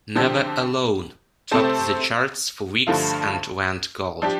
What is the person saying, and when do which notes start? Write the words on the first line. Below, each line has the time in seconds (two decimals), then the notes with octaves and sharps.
"Never Alone" topped the charts for weeks and went gold.
0.15 D3 F3 C4 G4
1.51 C3 A3 C4 A4 C5
2.87 G2 D3 F3 A3 F4
4.22 F3 D4 G4